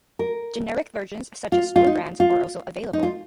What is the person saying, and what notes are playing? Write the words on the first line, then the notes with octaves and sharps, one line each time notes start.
Generic versions, such as store brands, are also available.
A#4
F4
F4
D#4
F4
D#4
F4